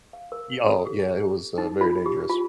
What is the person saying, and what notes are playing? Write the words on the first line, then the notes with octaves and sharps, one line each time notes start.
Y oh, yeah, it was, uh, very dangerous.
F5
A#4
A4
G4
D#4
F4
G4
F4